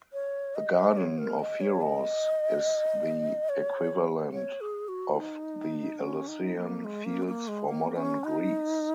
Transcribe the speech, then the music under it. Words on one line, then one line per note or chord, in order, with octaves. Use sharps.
The Garden of Heroes is the equivalent of the Elysian Fields for modern Greece.
C#5
D#5
C#5
A#4
D#5
C#5
D#5
C#5
C#5
G#4
F#4
D#4
C#4
D#4
A#3
G#3
A#3
C#4
A#3
G#3
A#3
C#4
D#4